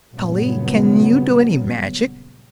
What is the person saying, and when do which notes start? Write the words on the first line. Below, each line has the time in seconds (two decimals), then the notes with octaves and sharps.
"Polly, can you do any magic?"
0.13 A#1 G2 C#3 F#3 B3